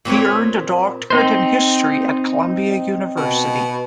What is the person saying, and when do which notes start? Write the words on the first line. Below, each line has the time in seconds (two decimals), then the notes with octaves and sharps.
He earned a doctorate in history at Columbia University.
0.05 A#2 C4 B4 C#5
1.10 C4 D#4 C5
3.17 B2